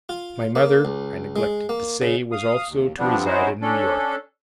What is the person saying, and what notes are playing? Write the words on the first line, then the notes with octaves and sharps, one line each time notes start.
My mother, I neglected to say, was also to reside in New York.
F4
A#3
C#2
G#3
A#3
C#3
F5 D#6
D#2
D3 F3 G3 B3 C4 D4
C#4 D#4 E4 F#4 C5
C#4 D4 A4